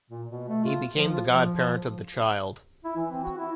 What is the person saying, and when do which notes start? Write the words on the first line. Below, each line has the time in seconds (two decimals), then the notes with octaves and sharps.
He became the god-parent of the child.
0.10 A#2
0.28 B2
0.48 A3
0.64 F4
0.96 F3
1.11 F4
1.28 F3
1.56 F3
2.85 E4
2.97 E3
3.11 C4
3.23 F#4
3.38 E4